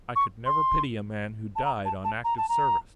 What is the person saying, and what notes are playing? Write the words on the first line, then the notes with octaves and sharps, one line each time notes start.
I could never pity a man who died on active service.
C#6
C6
A5
A#5
A5
A5
A#5
A5
A#5